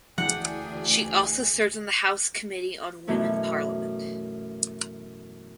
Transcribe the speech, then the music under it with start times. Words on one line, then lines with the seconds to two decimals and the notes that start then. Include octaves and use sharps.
She also serves in the House Committee on Women Parliament.
0.18 D2 E3 D4 G#4 F#5 G5
3.07 F#2 B2 E3 A3 E4